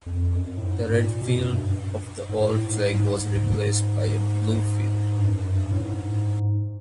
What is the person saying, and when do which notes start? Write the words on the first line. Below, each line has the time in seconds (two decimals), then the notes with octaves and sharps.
The red field of the old flag was replaced by a blue field.
0.06 F2
0.36 F#2
0.58 A2
0.64 G#2
0.92 A#2
1.22 B2
1.36 F#2
1.50 G2
2.29 G#2
2.37 A2
2.65 G#2
2.94 G#2
5.16 G2
5.24 F#2
5.53 G2
5.71 A2
5.82 G#2